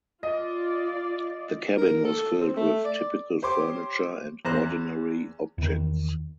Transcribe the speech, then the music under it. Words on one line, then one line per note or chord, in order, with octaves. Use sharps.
The cabin was filled with typical furniture and ordinary objects.
F4 D5 D#5
A#4
A4
C4
A3
D5
G4 C5 C#5 C6 D6
E2 C5 A#5 F#6
E2 D#3